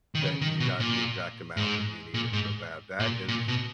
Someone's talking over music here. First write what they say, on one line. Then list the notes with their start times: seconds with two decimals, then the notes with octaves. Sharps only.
that you got the exact amount that you needed for that, that is
0.15 D#3
0.22 C#3
0.41 D#3
0.60 B2
0.80 A#2
1.57 G#2
2.14 A#2
2.33 G#2
3.00 A#2
3.28 A#2
3.48 B2